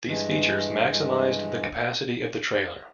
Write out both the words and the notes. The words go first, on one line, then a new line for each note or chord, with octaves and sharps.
These features maximized the capacity of the trailer.
G2 E3 G#3
G2 E3 G#3